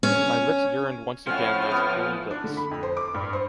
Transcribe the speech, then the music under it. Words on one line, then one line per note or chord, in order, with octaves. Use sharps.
My lips yearned once again those cruel lips.
C#4
A2 F3 C4 C#4 F#5 F6
B3
D4
D3
B5
F2
C5
D6
G2
C5